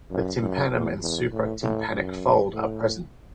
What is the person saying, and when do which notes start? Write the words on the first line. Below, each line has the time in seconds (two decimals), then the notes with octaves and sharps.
The tympanum and supratympanic fold are present.
0.11 F#2
0.41 F#2
0.71 E2
1.02 E2
1.32 A2
1.62 A2
1.92 F#2
2.53 A2